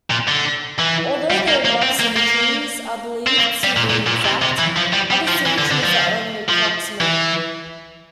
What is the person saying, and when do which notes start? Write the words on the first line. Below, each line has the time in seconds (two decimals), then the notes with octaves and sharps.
Although the above symmetries are believed to be exact, other symmetries are only approximate.
0.10 A#2
0.28 D3
0.80 E3
1.30 G3
1.48 A#3
1.65 A#3
1.83 C4
2.00 A#3
2.17 A#3
3.27 C4
3.38 A#3
3.64 G3
3.77 A#2
3.90 A#2
4.07 A#2
4.25 C3
4.42 C3
4.59 E3
4.77 F3
4.93 G3
5.11 G3
5.28 F3
5.46 E3
5.58 D3
5.71 D3
5.84 F3
6.49 F3
7.01 E3